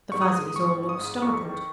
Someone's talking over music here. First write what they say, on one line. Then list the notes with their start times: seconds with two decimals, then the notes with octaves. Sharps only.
The Fuzzies all looked startled.
0.11 G#2 C#6
0.22 D#6
0.33 G#3
0.56 G#1 C#6
0.78 G#1
0.89 D#6
0.99 G#2
1.22 F2 C#6
1.44 D#3